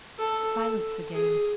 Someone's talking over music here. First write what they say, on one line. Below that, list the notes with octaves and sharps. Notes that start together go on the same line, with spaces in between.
Silence again?
A4
G#4